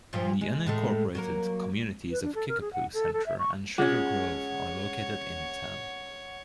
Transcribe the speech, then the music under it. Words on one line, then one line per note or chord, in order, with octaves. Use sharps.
The unincorporated communities of Kickapoo Center and Sugar Grove are located in the town.
G2 A#2 F3
G#3
A2 G#3 A3
F#3 A#3 A#4
B4
D4
A4
A#4
G#4
F#5
A4
A4
E5
C#6
G#3 C#4 F4 C#5 F#5